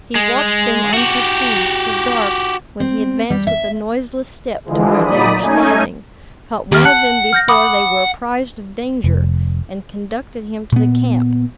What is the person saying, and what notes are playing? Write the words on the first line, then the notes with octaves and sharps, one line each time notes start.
He watched them unperceived, till dark when he advanced with a noiseless step to where they were standing, caught one of them before they were apprized of danger, and conducted him to the camp.
G#3
F#4 G4
C4
G3
E5
D3 E3 F3 G#3
A#2 F#3 D#4 D5 B5 D#6
A3 C#4 D#4 G#5
D#2 G4 F6
F#5 A5 F#6 C#7
F6 G6 A#6
F#5 B5 D6 D#6
F1
A#2 B3